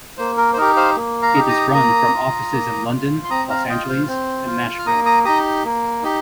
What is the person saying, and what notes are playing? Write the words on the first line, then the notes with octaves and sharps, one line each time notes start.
It is run from offices in London, Los Angeles and Nashville.
A#3 C5
A#4
C5
D#4 G4 A#4
C5 F5
A#3
F5 A#5
D#4 G4
A#5 D#6
A#3 A#5 D#6
F4
A#3
F4
C6
C4 A#5 D#6
F5 A#5
F4 D#5 G5
C5 F5
C4 C5
F4
F6
A#3 A#5 D#6
A#5 D#6
D#4 G4 A#5 D#6
A#3
D#4 G4